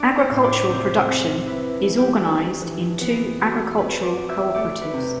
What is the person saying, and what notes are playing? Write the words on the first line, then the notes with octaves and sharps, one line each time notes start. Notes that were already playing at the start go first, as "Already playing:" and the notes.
Agricultural production is organised in two agricultural cooperatives.
Already playing: D4 D5
C5
A2
D5
C3 C5
C3
E4 B4
E3
G4
D4 A4
E3
B3
F#4
C4 B4
D5
F#4
E5
A3 D5
B4
C3